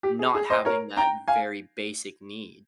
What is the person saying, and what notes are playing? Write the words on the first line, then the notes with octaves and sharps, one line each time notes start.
not having that very basic need.
G4
G#4
G#4
C5 D#5
A#4 C#5
G5 A#5
F5 G#5